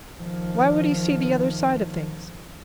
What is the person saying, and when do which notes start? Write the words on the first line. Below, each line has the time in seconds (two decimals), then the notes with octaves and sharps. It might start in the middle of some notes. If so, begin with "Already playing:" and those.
Why would he see the other side of things?
0.20 D#3 F3